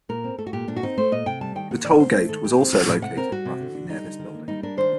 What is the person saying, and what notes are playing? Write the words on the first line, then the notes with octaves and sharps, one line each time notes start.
The toll gate was also located roughly near this building.
A#2 A#4
C4
A3 A4
F#4
A#2 G4
A#2 D4
F#4
C4 D#4
A3 C5
A#2 D#5
C3 G5
G3 A5
D#3 G5
A#3 F#5
D#3 D5
C4 C5
A3
D#3 A4
A2 G4
C4
F#3 F#4
A2 G4
C3 F#5
C4 A#4
G3 F#4
C3
D3
D4
G3 D#4
D3
D#3
A#3
G3 D#4
D4 A#4
D#3 C5